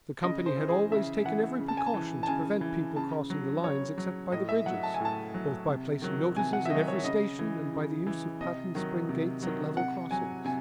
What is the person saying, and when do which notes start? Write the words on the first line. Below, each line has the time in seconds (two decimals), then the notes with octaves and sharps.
The company had always taken every precaution to prevent people crossing the lines except by the bridges, both by placing notices in every station and by the use of patent spring gates at level crossings.
0.23 C#3 D#5
0.46 C5
0.57 E3
0.68 G#4
0.92 C#3 E5
1.25 E3 F#5
1.59 C#3
1.68 A5
1.77 G#5
1.86 A5
1.94 E3
2.23 A5
2.27 C#3 G#5
2.61 E3
2.96 C#3 A5
3.30 F#3
3.63 C#3 C#5
3.98 F#3
4.32 A2 D#5
4.49 E5
4.66 F#3 F#5
4.83 A5
4.94 G#5
5.00 A2
5.05 A5
5.34 F#3
5.69 C3
6.02 D#3 F#3
6.36 C3 G#5
6.53 F#5
6.65 E5
6.70 D#3 F#3 D#5
6.88 C#5
7.04 C#3 D#5
7.39 E3
7.73 C#3
8.07 E3
8.41 C3 D#5
8.75 D#3 F#3
9.09 C3
9.43 D#3 F#3
9.77 C3 F#5
10.11 F#3 G#5
10.45 C3 G#5